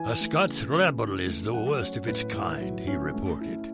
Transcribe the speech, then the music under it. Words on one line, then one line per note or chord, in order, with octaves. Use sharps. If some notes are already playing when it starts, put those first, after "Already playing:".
"A Scots rabble is the worst of its kind", he reported.
Already playing: E3 G#5
A3
C#3
C#3
E3
A3
F#3 F#5
C#4 C#5
A2 B4
E4
F#3
C#4
A3
E4